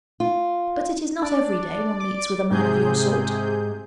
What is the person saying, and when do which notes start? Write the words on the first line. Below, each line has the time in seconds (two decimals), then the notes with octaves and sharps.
'But it is not every day one meets with a man of your sort.
0.20 F4
1.22 D4 D5
2.00 D6
2.51 G#2 C3 G#4 G6